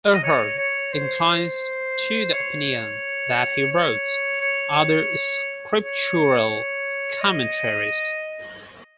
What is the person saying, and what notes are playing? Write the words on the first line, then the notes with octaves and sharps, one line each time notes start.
Ehrhard inclines to the opinion that he wrote other scriptural commentaries.
D#5
C#5
C#5
C5
C#5
C#5
C#5
C#5
D#5